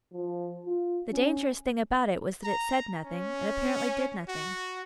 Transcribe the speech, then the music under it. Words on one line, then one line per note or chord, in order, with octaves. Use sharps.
The dangerous thing about it was that it said nothing and apparently did nothing.
F3
F4
C#4
A#5
C#4
F#4